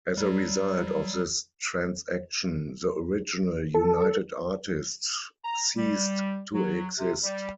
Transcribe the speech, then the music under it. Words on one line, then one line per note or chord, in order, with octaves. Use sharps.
As a result of this transaction, the original United Artists ceased to exist.
F#3 G3
A4
A#5
G3
F#3
C3
G3